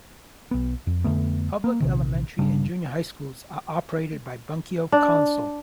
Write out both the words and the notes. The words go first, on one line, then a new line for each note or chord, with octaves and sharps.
Public elementary and junior high schools are operated by Bunkyo council.
B1 B3
F2
F2 D3 A3 B3
A#3
A#1 C3 D#3
G1 C#3 G3 D4
D4